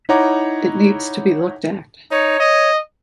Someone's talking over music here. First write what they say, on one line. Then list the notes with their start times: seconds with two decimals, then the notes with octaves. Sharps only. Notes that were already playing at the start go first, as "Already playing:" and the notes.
It needs to be looked at.
0.09 D#4 E4 C#5 F#5 A#5 D6
2.11 D#4 C#5
2.40 D#5